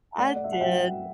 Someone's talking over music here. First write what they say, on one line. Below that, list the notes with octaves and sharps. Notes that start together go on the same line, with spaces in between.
I did.
A3 D5 F#5
D5
E5
F#5
F#3 E5 G5